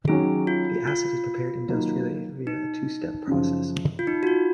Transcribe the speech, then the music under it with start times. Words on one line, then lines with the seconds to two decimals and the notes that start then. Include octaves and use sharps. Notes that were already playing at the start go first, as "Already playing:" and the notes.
The acid is prepared industrially via a two step process.
0.08 D#3 F#3 C#4 G#4
0.47 F4
0.87 F4
1.68 D#3 F#3 A#3 D#4
2.47 D#4
3.27 F#2 C#3 F3
3.99 F4
4.07 D#4
4.23 F#4
4.27 F4